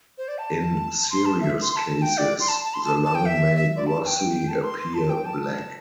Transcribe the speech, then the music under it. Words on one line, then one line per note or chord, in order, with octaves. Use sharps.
In serious cases, the lung may grossly appear black.
C5
D5
A5
C6
A5
E5
C6
C6
A5
G5
D5
C6
A5
A5
C6
A5
A5
G5
E5
E5
D5
A5
A5
G5
A5
C6
C6
A5
G5
A5